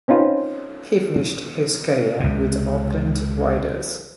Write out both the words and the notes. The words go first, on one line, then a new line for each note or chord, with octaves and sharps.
He finished his career with the Oakland Raiders.
C4 C#4 D#4 F4 B4 C5
C#2 C3